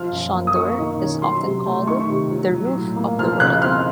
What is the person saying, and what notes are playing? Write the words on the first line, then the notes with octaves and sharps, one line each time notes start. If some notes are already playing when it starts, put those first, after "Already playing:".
Shandur is often called the 'Roof of the World'.
Already playing: F3 F6
F#2
A#3
D#6
A#3 C#6
D#3
C#4
F#3 C6
C3
A3
D#3 C#6
C3
F#3
F#3
A2
A#3
F3 F6
C#3 F#6
C4 F6